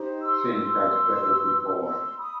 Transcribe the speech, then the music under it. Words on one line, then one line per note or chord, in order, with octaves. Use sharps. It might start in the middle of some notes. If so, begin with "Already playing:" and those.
Think I'd better be going.
Already playing: D#4 G4 C5
C6 E6
C6 E6
F#4 B4
C6 E6
B5 D#6